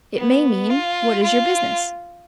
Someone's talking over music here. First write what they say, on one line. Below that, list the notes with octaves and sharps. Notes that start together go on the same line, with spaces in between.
It may mean: What is your business?
B3
F4
F4